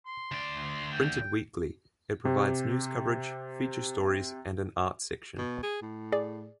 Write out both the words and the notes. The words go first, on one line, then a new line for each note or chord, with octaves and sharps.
Printed weekly, it provides news coverage, feature stories, and an art section.
C6
D2 D5
G5
C3 G4
B2
G#4
A2
G#4 D5